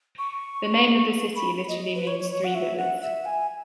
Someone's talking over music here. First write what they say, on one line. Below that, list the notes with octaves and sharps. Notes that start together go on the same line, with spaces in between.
The name of the city literally means "Three Rivers".
C#6
B5
D#5
B4
C#5
C#5
C#5
F#5
E5
F#5
E5
G#5